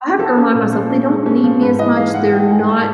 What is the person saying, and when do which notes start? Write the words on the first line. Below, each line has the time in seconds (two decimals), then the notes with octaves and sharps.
I have to remind myself they don't need me as much, they're not
0.19 F3 A4
0.37 C#4
0.54 A#2
0.73 F3
0.90 C#4
1.08 G#3
1.26 C#4
1.44 F3
1.61 G#2 B4
1.79 E3 D#5
1.96 G#2 F5
2.14 G#2 F#5
2.32 A3 G5
2.49 G#2 G#5
2.68 G#2 A5